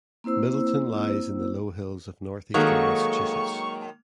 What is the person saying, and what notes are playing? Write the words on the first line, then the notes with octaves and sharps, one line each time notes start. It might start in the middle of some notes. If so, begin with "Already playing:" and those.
Middleton lies in the low hills of northeastern Massachusetts.
A#3 C4 E4 C5 E6
D#3 F#3 G#3 A#3 A4 F5 C#6